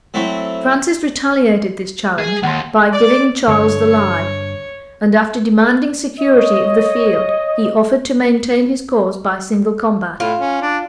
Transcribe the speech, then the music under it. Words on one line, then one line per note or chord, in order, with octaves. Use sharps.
Francis retaliated this challenge, by giving Charles the lie; and, after demanding security of the field, he offered to maintain his cause by single combat.
F#3 A3 C4 E4
G#4
D#2 F#5 C6
D5
G2 D3 C#5
C#5 D#5
A2 F4
C#4
D4